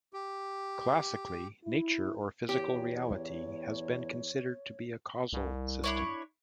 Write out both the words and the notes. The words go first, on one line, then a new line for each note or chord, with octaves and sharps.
Classically, nature or physical reality has been considered to be a causal system.
G4
E4
E2 G4 C#5
C2
D4 E4 C#5